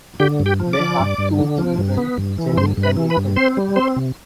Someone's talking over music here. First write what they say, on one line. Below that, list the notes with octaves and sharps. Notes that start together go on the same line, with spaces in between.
They have two children, Jennie and Ethan.
D3 G4 G5
G2
G4 G5
F3
D5 D6
F3
G2
G2
D3
F3
G2
B3
G2
E3
G2 C5 C6
G2
B4 B5
E3
B4 B5
G2
C4 C5 C6
G3
C4 C5 C6
C3